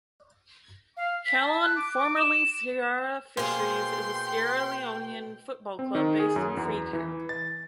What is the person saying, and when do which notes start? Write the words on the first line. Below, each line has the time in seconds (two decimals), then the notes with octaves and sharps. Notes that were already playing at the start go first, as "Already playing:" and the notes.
Kallon, formerly Sierra Fisheries, is a Sierra Leonean football club based in Freetown.
0.97 F5
1.25 B6
1.40 A5
1.63 F#6
1.76 D6
1.97 D6
2.17 E7
3.37 B2 A#3 G#4 C5 G5 C6
5.79 C4
5.95 D#3
6.20 G#4
6.36 F#2
6.57 E2
6.93 E3
7.29 A6